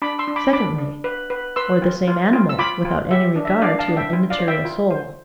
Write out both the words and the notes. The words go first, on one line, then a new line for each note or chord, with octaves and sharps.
Secondly, or the same animal, without any regard to an immaterial soul.
D4 B5 D6
C6 E6
D4
B5 D6
D4 B5 D6
D4
B4
B4
B4 C6 E6
F4
F4
F4
E6
F4 B5 D6
F4
G4 E5
D4
E5
D4 D5 F5
F5 A5
D4
E5 G5
F4
D5 F5
C5
E5 G5
F4
C5